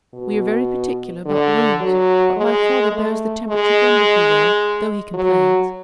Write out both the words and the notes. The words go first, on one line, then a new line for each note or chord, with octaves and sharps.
We are very particular about the rooms, but my father bears the temperature wonderfully well, though he complains.
B2
D3
F#3
G#3
A3
G#3
F#3